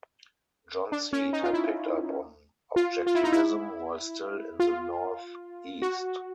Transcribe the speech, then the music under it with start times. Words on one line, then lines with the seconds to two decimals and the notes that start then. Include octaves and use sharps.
John Seed had picked up on Objectivism while still in the North-East.
0.92 D4
1.13 C#4
1.33 D#4
1.44 F4
1.54 E4
2.76 F4
3.07 F4
3.15 E4
3.24 D#4
3.32 E4
4.60 F4
5.82 F#4